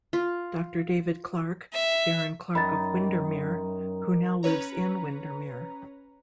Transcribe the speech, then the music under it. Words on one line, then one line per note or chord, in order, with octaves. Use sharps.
Doctor David Clark, Baron Clark of Windermere, who now lives in Windermere.
F4
E5
F#2 D#3 D#4 B5 A6
C#4 B4 C#5 A#5